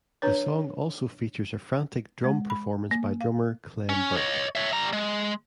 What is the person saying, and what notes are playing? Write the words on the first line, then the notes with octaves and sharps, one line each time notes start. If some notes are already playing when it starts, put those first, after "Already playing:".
The song also features a frantic drum performance by drummer Clem Burke.
D4 B4 C#5
G#3
B5
A#3
F5
C#4
C#5 D#5
C#5 E5
G3 A#5
G#3